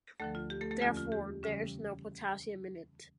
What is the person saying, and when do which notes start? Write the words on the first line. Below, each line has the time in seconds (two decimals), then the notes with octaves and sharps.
Therefore, there is no potassium in it.
0.20 D2 D3 F3 A3 A4
0.35 F4
0.50 G4
0.61 A3 A4
0.71 A3 A4
0.82 E2 D3 F3 A#3 C#4 F4
0.97 F4
1.12 G4
1.43 C#3 E3 G3 C#4